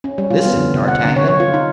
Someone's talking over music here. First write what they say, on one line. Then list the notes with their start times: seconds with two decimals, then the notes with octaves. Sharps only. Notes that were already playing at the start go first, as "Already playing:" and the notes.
Listen, D'Artagnan.
0.04 C#4
0.18 G3
0.30 F4
0.46 B3
0.57 D3
0.74 C3
0.88 F#5
1.04 D3
1.16 C#5
1.28 C#5
1.40 F4
1.54 D#4